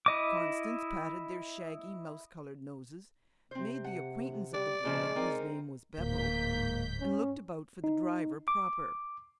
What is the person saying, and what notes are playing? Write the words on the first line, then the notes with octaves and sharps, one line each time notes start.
Constance patted their shaggy mouse-coloured noses, made the acquaintance of the boy, whose name was Beppo, and looked about for the driver proper.
E4 D#5 D6
C3 C4 C5
F#5
G3 D5
A#2 C#3 F3 G#3
C4 D#4 A#4
D1 G#2 A#3 G6 B6
C#4
D#4
D6